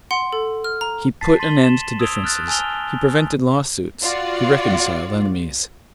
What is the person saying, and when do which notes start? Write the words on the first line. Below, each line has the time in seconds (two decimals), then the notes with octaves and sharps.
He put an end to differences, he prevented lawsuits, he reconciled enemies.
0.11 F#5 C6
0.33 A4
0.64 F6
0.81 A#5
1.21 A5 A6 B6 C7
1.40 C6 A6 B6 D#7 F#7 G7
1.64 E7
1.99 D#6 E6 G#6 D7 F7 G7
2.24 F6 F#6 A6
2.48 G#5 A5 E6 F6 F7 G7
4.03 F4 F#4 D5